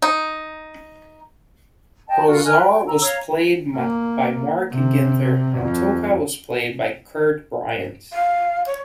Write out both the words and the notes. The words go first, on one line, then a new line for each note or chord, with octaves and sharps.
Rahzar was played by Mark Ginther and Tokka was played by Kurt Bryant.
D#4
D#5 G5 A5
F4 F#4 A4 A#4
D#5 G#5 F6 F#6
G5
A#5 E6
C#5 F5 A#5
A#3
C3
F2
F5
C#5